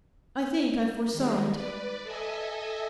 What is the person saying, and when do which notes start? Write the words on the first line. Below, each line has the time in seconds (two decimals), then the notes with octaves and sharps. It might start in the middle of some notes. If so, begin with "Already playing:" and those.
I think I foresaw it.
1.13 D#3 G3 G#3
1.50 B4 D5
2.03 A4 D#5 E5 G#5